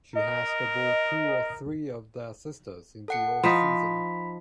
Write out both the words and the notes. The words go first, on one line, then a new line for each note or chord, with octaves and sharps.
She has to board two or three of her sisters in the off season.
A#4 D#5
A4 F#5 C#7
F3 D#4 B5 B6